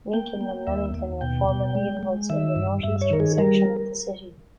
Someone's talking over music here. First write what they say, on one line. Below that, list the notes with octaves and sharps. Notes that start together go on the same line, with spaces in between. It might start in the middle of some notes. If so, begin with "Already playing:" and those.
Lincoln and Lemington were former neighborhoods in the northeastern section of the city.
A#3 G5
A#3
D#2 E5
D#2
B2 G5
B2
G#3
G#3
D#3 E5
G2
G2 E5
C#5
D#3 A#4
G#4
G3 A#4